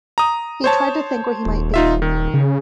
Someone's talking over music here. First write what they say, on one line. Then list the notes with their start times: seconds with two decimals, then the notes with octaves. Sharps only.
He tried to think where he might be.
0.18 A#5 D#6
0.64 C5 C#5 A5
1.46 D#1
1.74 D#4 F4 E5
2.02 D#3
2.34 C#3